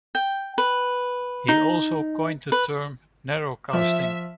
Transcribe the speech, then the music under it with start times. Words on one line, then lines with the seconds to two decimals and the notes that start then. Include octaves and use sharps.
He also coined the term "narrowcasting".
0.15 G5
0.58 B4
1.48 D#4
2.52 B4
3.73 F3 E5